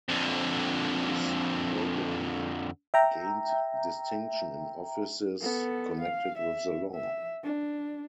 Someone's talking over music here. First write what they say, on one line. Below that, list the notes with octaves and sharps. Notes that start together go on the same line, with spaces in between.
His progeny gained distinction in offices connected with the law.
F2 D3
E5 G5 A#5
B3 A4
F5
E5
E5
D4